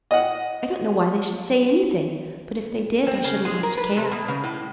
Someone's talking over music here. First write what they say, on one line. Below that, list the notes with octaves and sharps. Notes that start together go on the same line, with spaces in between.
"I don't know why they should say anything, but if they did I shouldn't much care."
D#5 F#5
C4
C#3
G#3
A#4
B4
C3
B2
C#3
A2